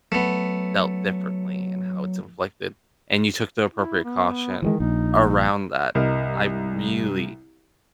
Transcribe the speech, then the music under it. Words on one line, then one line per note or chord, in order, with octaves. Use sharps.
dealt differently and how it's inflicted, and you took the appropriate caution around that. I'm really
F#3 A3 B3
E4
B3
D#3 E3 F#3 G#3
A#1 D#4
C2 G2 A#4 D#5